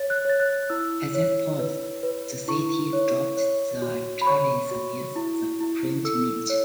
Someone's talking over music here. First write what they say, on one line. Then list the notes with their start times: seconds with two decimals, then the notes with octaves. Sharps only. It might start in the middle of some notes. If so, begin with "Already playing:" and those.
At that point the city dropped the charges against the Print Mint.
Already playing: C#5 A6
0.10 F#6
0.25 C#5 A6
0.40 F#6
0.70 E4 E6
1.14 C#5
1.59 B4
2.03 B4
2.48 E4 C#6
2.93 C#5
3.37 C#5
3.82 F#4
4.22 B5
4.27 C#5 C#6
4.71 F#4
5.16 E4
5.60 E4
6.05 A4 E6
6.50 C#5